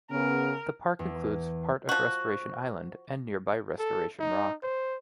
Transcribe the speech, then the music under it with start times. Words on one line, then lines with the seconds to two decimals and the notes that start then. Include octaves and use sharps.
The park includes part of Restoration Island and nearby Restoration Rock.
0.10 C#3 B3 A#4
0.99 E2
1.89 F3 F#4
3.79 A4
4.19 D#4
4.62 C5